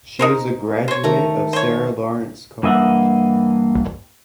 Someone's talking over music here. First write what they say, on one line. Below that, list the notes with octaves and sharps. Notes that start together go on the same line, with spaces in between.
She is a graduate of Sarah Lawrence College.
D#4 A#4 C5
C5 C#5
D#3 A3 A#5
C5 C#5
G2 E3 A#3 D#5 E5 F#5